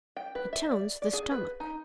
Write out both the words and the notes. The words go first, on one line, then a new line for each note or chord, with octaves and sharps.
It tones the stomach.
G5
B4
E5
D5
D5
G#4
B4
D#4